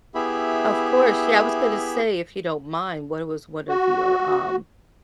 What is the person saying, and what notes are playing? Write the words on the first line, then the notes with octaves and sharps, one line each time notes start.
Of course, yeah, I was gonna say if you don't mind what it was one of your um
B3 E4 G4 G#4 E5 B5
F#4